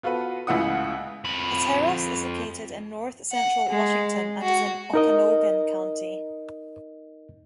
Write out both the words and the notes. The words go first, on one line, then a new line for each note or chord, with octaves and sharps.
Pateros is located in north central Washington and is in Okanogan County.
B3 F4 F#4 A4 B4
C#2 A2 C#3 E4 F#5 D#6
F2 B5
F#5
G#3
F#4
D#4 A#4 D#5